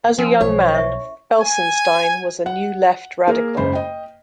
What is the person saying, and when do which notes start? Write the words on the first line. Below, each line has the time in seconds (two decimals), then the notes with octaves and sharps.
As a young man, Felsenstein was a New Left radical.
0.18 F3 C#4 A#4 G#5
0.41 B1 C#5
0.74 E4 E5 C#6
1.41 G#5
2.46 F#5
3.27 A#3 G#4 A#4
3.57 F#1 G#2 C#3 C5 B5
3.73 D#5 G5